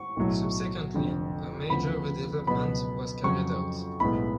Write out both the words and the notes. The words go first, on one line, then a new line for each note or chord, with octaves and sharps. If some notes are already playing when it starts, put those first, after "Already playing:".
Subsequently a major redevelopment was carried out.
Already playing: C#6
B1 A2 F#3 A3
F1 F2 D3
D2 C#3 F3 B3 B5
C#2 B2 F#3 B3 B5
F2 C#3 F#3 C#6
B1 A2 G#3 B3 B5